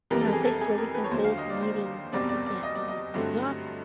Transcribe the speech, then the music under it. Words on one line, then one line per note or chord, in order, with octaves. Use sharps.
you know, places where we can hold meetings if we can't be in the office.
F2 C3 E3 G3 B3 A#4
A4
G#4
A4
G#4
A#4
B4
C#5
D#2 D3 F#3 C5
F5
D#5
D5
C5
F#1 E2 B2 G3 C4 D5
D5
D5
D#5
D5
D#5
G2 D3 F#3 A3 C4